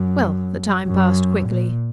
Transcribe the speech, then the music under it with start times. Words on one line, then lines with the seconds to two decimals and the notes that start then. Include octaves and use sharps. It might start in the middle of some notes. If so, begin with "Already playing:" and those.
Well, the time passed quickly.
Already playing: F#2
0.86 F#2
1.47 A#2